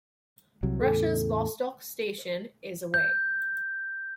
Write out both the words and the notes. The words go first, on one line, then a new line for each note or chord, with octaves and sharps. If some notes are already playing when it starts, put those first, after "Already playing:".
Russia's Vostok Station is away.
C2 C3 F#3
E2 A2 C#3 A4
G6